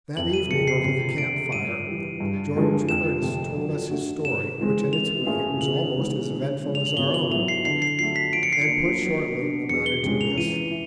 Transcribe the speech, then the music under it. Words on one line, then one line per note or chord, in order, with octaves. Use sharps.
That evening, over the camp fire, George Curtis told us his story, which, in its way, was almost as eventful as our own, and, put shortly, amounted to this.
F2 F#7
D#7
C#3 F3 C#7
C7
C3 C7
F3 A3 D7
G2 D#7
E3 G3
G2
D3 F3 G#3
F2 E7
C3 F3 A3
F#3
A3 D4 F#4
C3 E7
E3 G#3 C4
E3 F7
A3 C#4 F4 G#4
C#3 F#7
E3 G#3 B3 D#4
D3
F3 G#3 C4
F7
F#7
B2 G7
F#7
F#3 B3 E4 F7
C7
D3 C7
C7
F#3 A3 C7
B6
F3 D7
C#7
C7
C#7
A#3 D4 F4
F#3
B3 D4
E2 C#7
G7
C3 F3 G#3 C#4
F7
E3 D#7
E4